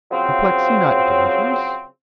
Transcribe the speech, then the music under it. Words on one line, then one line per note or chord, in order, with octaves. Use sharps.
"Apoplexy not dangerous?"
C#3 F3 F#3 C4